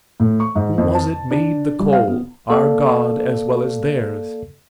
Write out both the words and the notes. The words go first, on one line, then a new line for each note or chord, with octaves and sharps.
"Who was it made the coal? Our God as well as theirs."
A2
C#6
G#2
F2
A5
D4
G3
F5
B3
A#3 A4 D5 F5